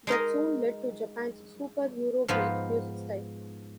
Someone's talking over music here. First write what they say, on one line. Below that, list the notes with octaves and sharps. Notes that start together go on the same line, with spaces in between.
That soon lead to Japan's Super Eurobeat music style.
G#3 D#4 A#4 D#5
G#2 F3 B3 F4